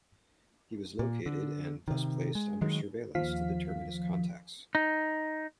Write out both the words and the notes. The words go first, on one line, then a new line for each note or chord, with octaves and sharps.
He was located and thus placed under surveillance to determine his contacts.
A#2
D3
C3 D#3
G#3
D#3 F#3 G#3
D#2 F3 F5 B6
D#4